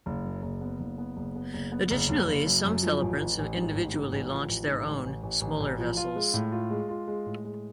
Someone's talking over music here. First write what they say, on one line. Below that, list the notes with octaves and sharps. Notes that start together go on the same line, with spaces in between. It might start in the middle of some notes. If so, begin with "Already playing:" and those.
Additionally, some celebrants individually launch their own, smaller, vessels.
F#1
F#2
F#1
B3
F#1
B3
F#1
B3
F#1
B3
F#1
F#1
F#1
F#2
F#2
F3
A1
A1
A1
G#2
A1
G#2
A1
F3
A1
G#2
A1
A1
A1
A1
A1
F3
F4
G#3
A2
F4
G#3
F4
G#3
A2
G#3